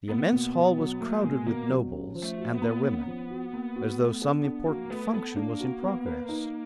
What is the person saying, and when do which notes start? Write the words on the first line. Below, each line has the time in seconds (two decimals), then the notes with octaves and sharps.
The immense hall was crowded with nobles and their women, as though some important function was in progress.
0.09 A#3 B3
0.32 B2
0.55 B2
0.78 F#3
1.01 A3 A#3
1.23 B2 G#3
1.47 B2 A#3
1.70 F#3
1.92 C#4
2.15 F3
2.23 A3
2.38 F#4
2.54 B3
2.62 A#3
2.84 B3 C#4
3.07 F3
3.30 F#4
3.53 A#3
3.76 F#4
3.99 A3
4.22 A4
4.45 D4
4.67 A#3 F#4
4.90 A3 B3
5.08 A#3
5.13 B3 A4
5.36 A#3 D4
5.60 F#4
5.83 B3
6.06 B4
6.29 D#4